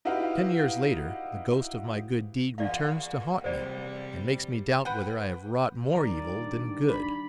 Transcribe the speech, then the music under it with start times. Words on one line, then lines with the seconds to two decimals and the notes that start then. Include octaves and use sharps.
Ten years later, the ghost of my good deed returns to haunt me, and makes me doubt whether I have wrought more evil than good.
0.05 D#4 E4 F#4 G4 B4 F5
2.58 E2 A#2 D5 F5
3.44 C3 G3 C5 D5
4.85 B4 F#5 G5
5.93 D#3 G3 A#4 D5
6.41 D4
6.88 B5